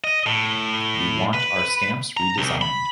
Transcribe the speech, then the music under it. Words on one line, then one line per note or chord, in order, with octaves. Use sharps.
We want our stamps redesigned.
D#5
A2
B4
A#5
C2
B5